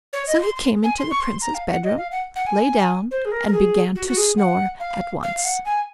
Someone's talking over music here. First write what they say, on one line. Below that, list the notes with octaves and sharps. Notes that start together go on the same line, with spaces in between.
So he came into the Princess' bedroom, lay down, and began to snore at once.
C#5
D#5
C6
C6
G#5
C6
C#6
C6
A#5
F5
F#5
D#5
F5
F#5
F#5
G#5
C5
G#4
A#4
A#4
G#4
F#4
F#4
G#4
F#5
F5
F5
F5
F#5
G#5